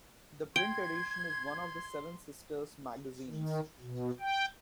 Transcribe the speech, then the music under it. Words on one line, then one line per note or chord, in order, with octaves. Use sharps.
The print edition is one of the Seven Sisters magazines.
G5 C6 G#6 D7
D#3
B2
G5